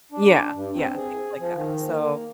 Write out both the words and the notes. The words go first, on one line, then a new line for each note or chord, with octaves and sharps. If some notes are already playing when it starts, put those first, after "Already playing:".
yeah, yeah, things like that, so,
D4
G2
C4
G#4
F3
D#3
A#3